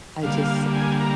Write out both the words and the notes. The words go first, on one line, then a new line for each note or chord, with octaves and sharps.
I just
D3 G3 A#3 F5
G#5
A#5